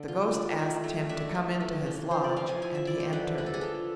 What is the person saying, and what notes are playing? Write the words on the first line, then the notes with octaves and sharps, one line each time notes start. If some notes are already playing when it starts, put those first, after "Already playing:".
The ghost asked him to come into his lodge, and he entered.
Already playing: D3 D4
F4
D4
E4
A3
D4 E5
A3
E3
E3
F3 C5
D5
F3 F5
G#5
E4 G#5
E5
E4 D5
C5
D3 B4
D4 B4
A4
G#4
F4 A4